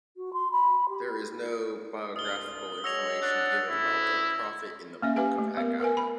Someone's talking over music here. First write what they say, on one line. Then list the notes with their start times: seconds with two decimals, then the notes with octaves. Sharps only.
There is no biographical information given about the prophet in the Book of Haggai.
0.17 F#4
0.33 C6
0.52 B5
0.89 G4
2.16 C2 G2 F4 D#6 G7
2.84 G#3 F#4 C#5 E6 A#6 F7
3.22 D4 C#5 F#5
3.69 D2 C#4 E4
5.02 A#3 C#4 E5
5.16 G4 B4 F5 G#5
5.38 A3
5.57 B3 A#4
5.80 A#4 B4 G#5
5.97 B5